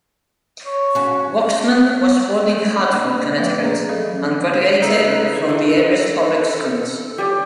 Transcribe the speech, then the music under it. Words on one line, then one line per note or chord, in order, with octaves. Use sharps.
Waxman was born in Hartford, Connecticut, and graduated from the area's public schools.
C#5
C#4 F#4
A#3 D4 D5 D#5 F#5 B5
D5
F3 A3 A#3 B4 E5 F5
G#4 B4 D5 A#5
F#3 C#4 A4 D#5 F5
E3
C#3 D#4 A4 B4 E5
E3 G#5
E3 D4 B4
G3 G4 C#5 D5